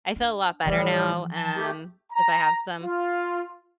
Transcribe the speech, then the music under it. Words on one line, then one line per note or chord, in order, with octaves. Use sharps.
I feel a lot better now, um, 'cause I have some
D4
A2 E3 F3 G3
A5
A3 G4
A#5
F4